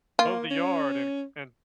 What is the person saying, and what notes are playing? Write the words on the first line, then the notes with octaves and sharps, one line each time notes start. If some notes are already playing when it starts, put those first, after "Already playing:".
Mow the yard and and,
A#3 F4
C#4